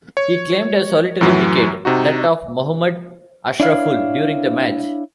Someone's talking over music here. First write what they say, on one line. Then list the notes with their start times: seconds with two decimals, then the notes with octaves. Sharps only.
He claimed a solitary wicket, that of Mohammad Ashraful during the match.
0.17 C#5
1.21 F#2 A2 E3 F#3
1.85 C3 D#4 F#4
3.60 D4 E4 C#5 F5